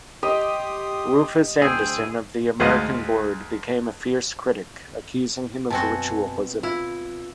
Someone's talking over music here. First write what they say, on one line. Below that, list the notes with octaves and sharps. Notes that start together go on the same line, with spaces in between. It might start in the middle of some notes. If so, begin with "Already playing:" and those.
Rufus Anderson, of the American Board, became a fierce critic, accusing him of ritualism.
G4 D#5 C6 D#6
D2 G#4 C5 G5 E6
D2 G#2 G#4 C5 D#5 F5
F#2 B2 C4 F#4 G#5 A5
E4 F4